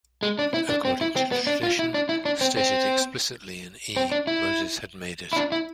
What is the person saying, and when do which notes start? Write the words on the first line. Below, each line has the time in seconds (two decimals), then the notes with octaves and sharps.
According to tradition, stated explicitly in E, Moses had made it.
0.23 G#3
0.39 D4
0.54 E4
0.70 D4
0.85 C4
1.01 E4
1.16 C4
1.32 B3
1.47 D4
1.63 F4
1.79 E4
1.94 D4
2.09 E4
2.25 D4
2.41 C4
2.57 C4
3.96 C4
4.12 D4
4.27 E4
5.33 E4
5.36 D4
5.52 E4